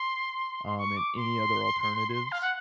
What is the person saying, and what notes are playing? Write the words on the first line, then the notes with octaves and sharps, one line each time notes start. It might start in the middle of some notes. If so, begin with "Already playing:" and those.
um, and any other alternatives
Already playing: C6
C6
C#6
D6
C6
F5
F#5